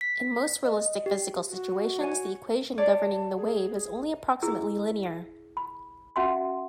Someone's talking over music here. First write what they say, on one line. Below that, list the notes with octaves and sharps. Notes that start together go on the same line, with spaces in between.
In most realistic physical situations, the equation governing the wave is only approximately linear.
B6
D#5
G4
F#4
C#5 G#5
C#5 D5 A5
G#4
E4 G#4 E6
B5
C#4 F#4 E5 F#5 G#5 C6